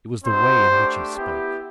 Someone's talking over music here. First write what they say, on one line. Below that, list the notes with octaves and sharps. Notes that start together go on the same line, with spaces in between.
It was the way in which he spoke.
C4 D#4 F#4 C5
A3 D4 G4
B3 E4 G4